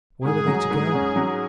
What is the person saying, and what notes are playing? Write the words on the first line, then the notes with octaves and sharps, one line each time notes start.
Where were they to go?
G#2 G#4
F#3
G#2
C#4
F#3